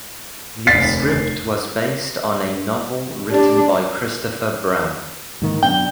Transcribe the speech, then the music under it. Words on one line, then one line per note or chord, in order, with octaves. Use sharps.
The script was based on a novel written by Christopher Bram.
F1 D#2 A6 B6 C7
D4 G4
G#2 D#3 A#3
F#2 B2 D4 G5